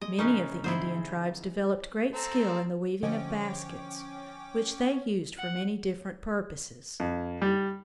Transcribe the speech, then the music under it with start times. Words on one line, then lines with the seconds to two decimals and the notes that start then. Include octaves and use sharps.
Many of the Indian tribes developed great skill in the weaving of baskets, which they used for many different purposes.
0.01 G#3 D#5
0.18 A#1 C#3 C#4 D#4 A#4 B4
0.64 D2 G#2 C3 E4 G#4 C5
2.14 C4 A4 A#5
3.03 D3 F3 C#4 D#5 G5 D6
5.38 F#5
7.00 F2
7.42 G3